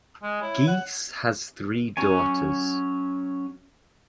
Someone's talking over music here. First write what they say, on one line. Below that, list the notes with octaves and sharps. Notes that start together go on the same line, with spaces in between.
Geese has three daughters.
G#3
E4 C#5
F#5
F#3 C#4 C#5 G#5